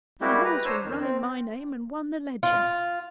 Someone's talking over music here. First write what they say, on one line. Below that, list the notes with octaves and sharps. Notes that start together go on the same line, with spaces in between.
And the horse would have run in my name and won the Leger!
G3 G#3 A#3 E4 F#4 G4
B4 A#5
D4 C5 C#5 A#5 E6
F2 D#3
C4
F4